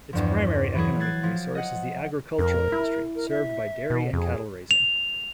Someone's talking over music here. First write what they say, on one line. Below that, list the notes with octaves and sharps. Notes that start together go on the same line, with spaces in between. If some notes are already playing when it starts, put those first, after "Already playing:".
Its primary economic resource is the agricultural industry, served by dairy and cattle-raising.
E2 G2 F3
E3 F#3 E4 G#4
F#6 G#6 A6 C7
F3
D#5 F#5
F2 A#4
E4
A#4
E5
B2
F2 G#4
F7